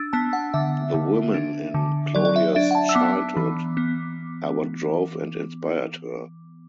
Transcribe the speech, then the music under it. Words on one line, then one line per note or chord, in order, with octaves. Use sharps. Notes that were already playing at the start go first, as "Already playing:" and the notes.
The women in Claudia’s childhood are what drove and inspired her.
Already playing: D4 E6 A6
B3 A5
F#5
D3 E5
D3
D4
D3
F#3 D5
D5
E5
D4 E5
F#5
A5
E6
B3 D6
E3
B3